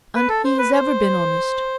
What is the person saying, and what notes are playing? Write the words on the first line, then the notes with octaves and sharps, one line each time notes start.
And he has ever been honest.
B4
A4
C5
B4
C5